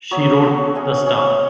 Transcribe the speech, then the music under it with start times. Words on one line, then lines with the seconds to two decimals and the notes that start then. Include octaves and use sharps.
She wrote the stuff.
0.11 F#3 B3 F#4 C#5
0.42 F#3 B3 F#4 C#5
0.75 C#4 G#4 C#5 E5
1.06 C#4 G#4 C#5 E5